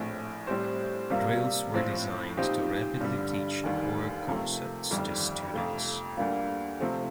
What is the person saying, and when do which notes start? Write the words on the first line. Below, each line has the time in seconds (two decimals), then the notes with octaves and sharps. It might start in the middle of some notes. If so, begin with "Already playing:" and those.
Drills were designed to rapidly teach core concepts to students.
Already playing: A#1 A2 A3 C4
0.47 A2 G3 C4 G4 C5
1.10 C3 G3 A#3 F4
1.74 A2 F3 C4
2.37 A#2 F3 C4 D#4 G4
3.00 G2 D3 G3
3.64 F1 D#2 D#3 G3
4.27 C3 F3 A3
4.90 G1 F2 D#3 G3
5.54 F2 C3 F3 A3
6.17 D2 D3 G3 A#3 F4
6.81 C3 F3 A3 C4